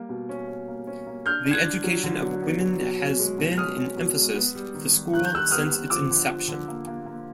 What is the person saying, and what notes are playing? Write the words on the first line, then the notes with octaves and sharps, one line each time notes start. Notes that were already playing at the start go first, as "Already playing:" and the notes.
The education of women has been an emphasis of the School since its inception.
Already playing: G3 A#3
B2
C#4
C#4
A#3
C#4
A#3
D4 F6 G6
D4
F#6 G#6
D4
F#3
D3
F#3
B3
F#3
B2
C#4
G#3
B2
C#4 D#6 F6
C#4
B2
G#3
B3
G3
D#3
G3
D#3 F#6
G6
G3 E6 F#6
B3 D#6 F6
B3
F3 D6 E6
D3
F3
D3
A#3
A#3
A#3